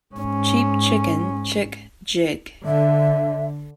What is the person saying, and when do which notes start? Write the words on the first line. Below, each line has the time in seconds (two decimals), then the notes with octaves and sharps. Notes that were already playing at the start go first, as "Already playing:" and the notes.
Cheap chicken chick jig.
0.14 G#2 C#4
2.66 D3 E5